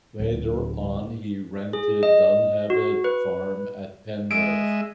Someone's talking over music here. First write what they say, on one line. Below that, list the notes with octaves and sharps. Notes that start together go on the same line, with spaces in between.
Later on he rented Dunheved farm at Penrith.
D1
G#4
D#5
F#4
B4
G#3 D#5 E5 D7